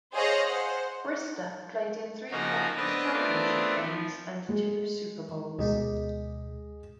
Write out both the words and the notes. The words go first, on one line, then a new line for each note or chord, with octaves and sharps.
Brister played in three conference championship games and two Super Bowls.
G#4 C5 C#5 D#5 F5
C5 F#5
C#3 F3 A#3 D#4 F#4 A#5
B3 C4 D4 B4 D#5
A3 B3 C4 D4 F4 A#4
F3
G#3
D2 B2 G#3 G#4 D#5